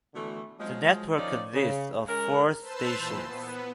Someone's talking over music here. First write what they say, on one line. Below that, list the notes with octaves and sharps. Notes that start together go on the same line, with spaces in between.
The network consists of four stations.
B2 D3 E3 A3
F3 F#3 G#3
D#3 F3 C#4 D#4 D5
C#3
G#3 C#4 A#4
B4 C5 A5 C6 E6
A#2 E3
B3